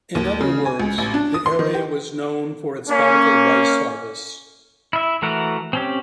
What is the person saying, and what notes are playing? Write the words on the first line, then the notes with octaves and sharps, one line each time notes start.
In other words, the area was known for its bountiful rice harvests.
D#2
C#3
G#5
C#2
A1
D4
D#6
C6
D#3
G4
A#3 C#4
E4 E5
E3 A3 F#4 A#4 F#5
C4 C#4 G4